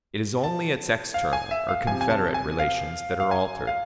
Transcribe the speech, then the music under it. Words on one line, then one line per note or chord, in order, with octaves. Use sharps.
It is only its external or confederate relations that are altered.
A5
F5
G#5
E5
F5
C3 F3 G#5
G#5
A5
G#5
F5
F5
G#5
F5